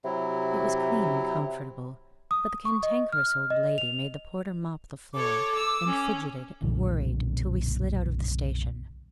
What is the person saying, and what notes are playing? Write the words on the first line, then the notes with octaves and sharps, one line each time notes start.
It was clean and comfortable; but the Cantankerous Old Lady made the porter mop the floor, and fidgeted and worried till we slid out of the station.
C3 F#3 E4
D#6
C#6
D#5
F6
D#5
F7
A4 C#5 D6
E6
C#4
F#1 B1 A#2 D3